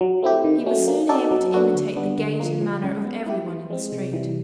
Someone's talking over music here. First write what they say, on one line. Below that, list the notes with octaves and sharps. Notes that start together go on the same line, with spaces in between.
He was soon able to imitate the gait and manner of everyone in the street.
F#3
A3 C4 E4 G4
D#3
F#3 A3 C#4
A#3
D#4 F#4 A4 D5
F#3
B3 D4 F#4 A4
D3
G3 B3 D4
D3
F3 A#3
F3
G#3 C#4
B3
E4 G4
E3
G#3 C4
C3
E3 G3